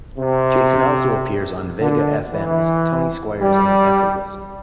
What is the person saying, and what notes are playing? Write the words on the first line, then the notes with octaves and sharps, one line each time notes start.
Jason also appears on vega fm's "Tony Squires and Rebecca Wilson".
C3
D3
E3
G3